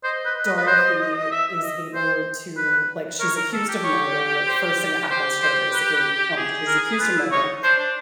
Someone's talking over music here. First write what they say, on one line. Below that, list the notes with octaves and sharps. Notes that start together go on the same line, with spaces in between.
Dorothy is able to like she's accused of murder- the first thing that happens to her basically in the home- she's accused of murder,
C5 D#5
B4
B4
B4
C5
E5
E5
D#5
C5
B4
A#4 C#5
A#4
A4
G4
C#5
C5
G4 C5
C5
B4
G#4
A#4
F4 B4
E4
D#4 C#5
D4 C5
D4